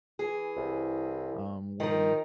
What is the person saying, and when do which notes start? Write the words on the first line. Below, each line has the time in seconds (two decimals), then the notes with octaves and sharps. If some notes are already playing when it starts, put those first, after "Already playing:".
um, when
0.19 E3 G#4
0.56 C2
1.80 D#3 F3 A#4